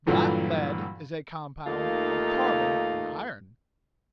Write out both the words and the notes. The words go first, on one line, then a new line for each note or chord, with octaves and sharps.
Blacklead is a compound of carbon and iron.
G2 A#2 D3 E3 F#3
D#2 A3 A#3 D#4 F4 F5